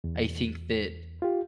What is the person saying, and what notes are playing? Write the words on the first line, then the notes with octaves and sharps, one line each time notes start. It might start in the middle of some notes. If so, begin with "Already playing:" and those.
I think that,
E2
F4 G4